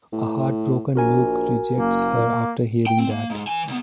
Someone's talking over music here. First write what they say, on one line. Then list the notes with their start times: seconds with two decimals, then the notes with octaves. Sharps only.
A heartbroken Luke rejects her after hearing that.
0.12 A2
0.95 A#1 F#4 A#4 G#5
1.76 F#1 A#3
2.87 G5
2.99 C4
3.11 A#3
3.30 G#2
3.47 E3 G#5
3.67 C2 B3